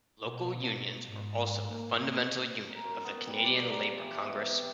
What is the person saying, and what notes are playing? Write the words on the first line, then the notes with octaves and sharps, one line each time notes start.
Local unions are also the fundamental unit of the Canadian Labour Congress.
B2
G#2
A#3
A#4
F#2
B3
G3
D5
A#5
F3
E3
B3
C3